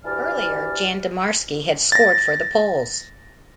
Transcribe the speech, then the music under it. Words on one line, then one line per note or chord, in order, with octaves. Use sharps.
Earlier, Jan Domarski had scored for the Poles.
D2 E3 G4 D5 A5 F6
A6 A#6